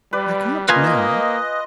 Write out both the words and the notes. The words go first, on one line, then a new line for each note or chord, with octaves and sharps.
"I can't now."
G3 B4 D5
A#3 F4 B4 D#5 F5 G#5